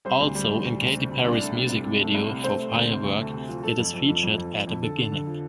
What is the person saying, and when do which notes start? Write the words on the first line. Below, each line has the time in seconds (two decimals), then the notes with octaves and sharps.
Also, in Katy Perry's music video for "Firework", it is featured at the beginning.
0.05 G3 C4 C5
0.20 D2
0.35 G3
0.50 D2
0.65 D2
0.80 D2
0.95 C3
1.10 D2
1.24 C2 D4 D5
1.40 A3
1.55 C3
1.69 C2
1.85 C3
2.00 A3
2.14 C2
2.29 C3
2.44 A3 C4 C5
2.59 A3
2.74 D2
2.89 C3
3.03 D2
3.19 A3
3.34 C3
3.49 F3
3.63 F3 A4
3.78 F2
3.94 F2
4.09 F2
4.23 F2
4.38 F2
4.52 F2
4.67 F2
4.82 D3 A4
4.98 D3
5.12 D3
5.27 F3